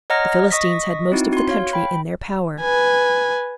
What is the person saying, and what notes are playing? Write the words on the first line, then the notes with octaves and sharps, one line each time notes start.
The Philistines had most of the country in their power.
C#5 D#5 F#5 A#5 F6 A#6
D#5 C#6 D#6 A#6 B6
C4 D#4 E4 F#4
F#4 C6
C#5 F5
G5 B5
B4 G#5